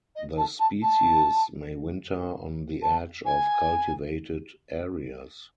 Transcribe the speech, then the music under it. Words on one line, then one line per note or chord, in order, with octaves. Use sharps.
The species may winter on the edge of cultivated areas.
D#5
A5
A5
A5
A5
G#5